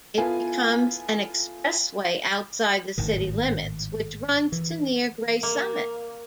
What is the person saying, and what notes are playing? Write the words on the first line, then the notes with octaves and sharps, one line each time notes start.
It becomes an expressway outside the city limits, which runs to near Gray Summit.
B3 E4 F4 A4 G#5
G#1 A2 D#3
E3
A#3